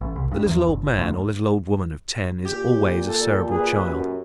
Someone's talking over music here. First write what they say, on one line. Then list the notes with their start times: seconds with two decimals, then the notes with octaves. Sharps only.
The "little old man" or "little old woman" of ten is always a Cerebral child.
0.01 A1
0.16 C2
0.32 G2
0.46 E2
0.67 G1
0.98 D2
2.45 A#2 G4
3.05 A4
3.50 G#4 B4
3.86 F#2